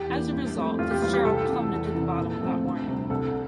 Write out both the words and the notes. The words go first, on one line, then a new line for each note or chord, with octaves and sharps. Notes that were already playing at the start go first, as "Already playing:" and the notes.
As a result, "Fitzgerald" plummeted to the bottom without warning.
Already playing: E2 G4
E3 A#3
G2
F3 A3 C4
E2 F4
G4
E3 G3 C4 F4
G4
C2 A4
C3 E3
E2
C3 E3
A#2
F3 A3 C4
D2
C3 G3 C4
C2 A4